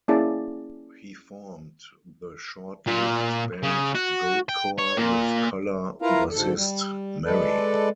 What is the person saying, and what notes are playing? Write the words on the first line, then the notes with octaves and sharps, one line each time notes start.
He formed the short-lived band Goatcore with Color bassist Marry.
A#3 C#4 E4 G#4 D5 A5
A#2 F4
C#3
F#4
G5
C#5
A#2 A#3
E4 F4 A#4 B4 F5 A#5
D2 G#2 A4
G3
G#3 A4 B4 D5